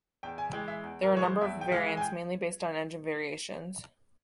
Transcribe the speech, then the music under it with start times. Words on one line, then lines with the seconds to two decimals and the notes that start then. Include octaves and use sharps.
There were a number of variants mainly based on engine variations.
0.23 E2 G5
0.38 G#5
0.53 E3 G#3 G5
0.68 E5
0.83 E2
1.03 A#4
1.13 E3 G#3 C#5
1.23 C5
1.41 E2 E5
1.61 G5
1.72 E3 G#3 F5
1.97 G#5
2.01 G5